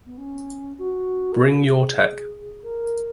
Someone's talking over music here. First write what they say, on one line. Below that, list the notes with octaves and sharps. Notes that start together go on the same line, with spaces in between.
Bring your tech.
B3
C#4
F#4
A#4
G#4
A#4